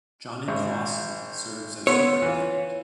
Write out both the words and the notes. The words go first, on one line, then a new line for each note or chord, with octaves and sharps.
Johnny Clawson serves as Superintendent.
G#1
B3 C#5 C6 E6
E3 F4